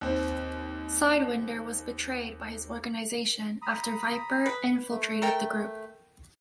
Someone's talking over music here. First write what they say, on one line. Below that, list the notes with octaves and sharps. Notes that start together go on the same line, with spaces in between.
Sidewinder was betrayed by his organization after Viper infiltrated the group.
D#2 C4
A#5 B5 D#6
B4
A3
A4 A#4 G5